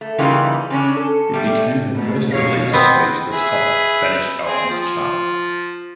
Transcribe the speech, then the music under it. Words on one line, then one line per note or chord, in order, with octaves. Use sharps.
It became her first release to reach the top of the Spanish albums chart.
A3
C#3 E3 G3 A#3 D#4 F4
C#3 C#4 D4
A4
G3 A3
G#2 B2 A3
B2 C#5 F5
B3 C4 D#5
G#4 B4 E5
C4 G#4
F3